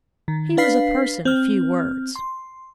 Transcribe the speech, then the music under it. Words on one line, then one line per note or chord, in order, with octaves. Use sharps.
He was a person of few words.
D#3
D4 B4 F5 B6 C7
C4 F6
C6